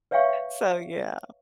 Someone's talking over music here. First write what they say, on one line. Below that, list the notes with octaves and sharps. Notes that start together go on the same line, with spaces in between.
So yeah.
B4 C#5 E5 F5 G5 C#6